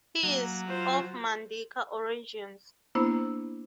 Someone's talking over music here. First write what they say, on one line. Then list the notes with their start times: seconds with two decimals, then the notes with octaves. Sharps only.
He is of Mandinka origins.
0.23 F#3 A#3
0.67 F4 C5
2.95 A#3 B3 D4 E4 C5